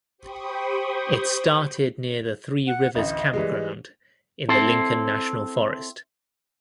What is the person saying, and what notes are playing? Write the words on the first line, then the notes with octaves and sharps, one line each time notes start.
It started near the Three Rivers Campground in the Lincoln National Forest.
G4 C5 G5 B5 C#6 D#6
F#5
A1 D2 D#5
E3 G3 G#3
C4 E4 A4